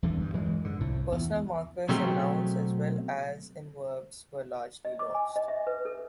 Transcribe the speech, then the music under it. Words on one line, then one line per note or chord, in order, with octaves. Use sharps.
Personal markers in nouns as well as in verbs were largely lost.
E2 G2 D3 E3
G2
F#2 E3 G#3
G#2 D3
C2 A2
E2
B2 F#3 A3 C4 G4 G#4
D#5
D6
G#5
D#5
E5
B4
A4